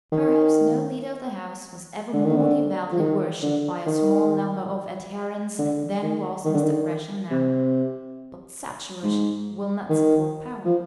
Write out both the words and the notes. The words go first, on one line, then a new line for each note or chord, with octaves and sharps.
Perhaps no leader of the House was ever more devoutly worshipped by a small number of adherents than was Mr. Gresham now; but such worship will not support power.
D#3
D3
D#3
D3
F3
D#3
D3
D#3
D3
D#3
D#3
D3
D#3
C3
G#2
D#3
F3